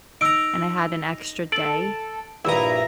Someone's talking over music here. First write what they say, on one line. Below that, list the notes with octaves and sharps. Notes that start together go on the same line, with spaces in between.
and I had an extra day.
D#4 A#5 E6 D7
A4 D7 F#7
A#1 G2 E4 A#5 D#6